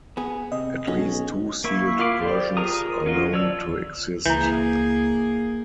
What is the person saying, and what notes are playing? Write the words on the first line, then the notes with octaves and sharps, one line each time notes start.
At least two sealed versions are known to exist.
B3 G#4
C3 D#5
B1 C#4 F#4 G#4
A#3 E4 C#6
F4 F5 B5 D6
G4 C5 D5
F4 G#4 A#4 A#5 D#6
C#4 F4 F#4 D#5
F3 C#5 D5 E6
C#2 E3 A#3 G#4 A#5 G6